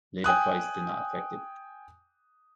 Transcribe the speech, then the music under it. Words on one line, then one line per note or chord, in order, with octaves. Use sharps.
Later flights did not affect it.
G5 G#5 D#6 F#6